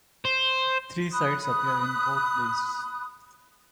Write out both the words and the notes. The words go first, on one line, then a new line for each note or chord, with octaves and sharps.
Three sites appear in both lists.
C5
B5 D#6 F#6